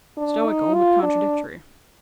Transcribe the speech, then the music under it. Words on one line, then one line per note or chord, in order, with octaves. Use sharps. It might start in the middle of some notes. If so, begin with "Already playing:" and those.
Stoical, but contradictory.
D4
D#4
F4
D4